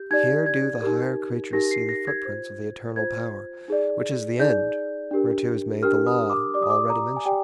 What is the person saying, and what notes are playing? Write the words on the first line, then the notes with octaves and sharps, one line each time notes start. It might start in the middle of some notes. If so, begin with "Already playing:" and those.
Here do the higher creatures see the footprints Of the Eternal Power, which is the end Whereto is made the law already mentioned.
Already playing: G4 G6
D#4 G4 D5 G#6
G#6
D#4 G4 A#4
D#4 G4 A#4 A#6
C7
A#6
G#6
F4 C5
F4 C5 G#6
D#4 G#4 D5
D#4 G#4 D5 G6
D4 G4 A#4
D4 G4 A#4 F6
D#6
D6
G4 D5 D6
D#6
D6
A#5
G#5
G4 D5 G5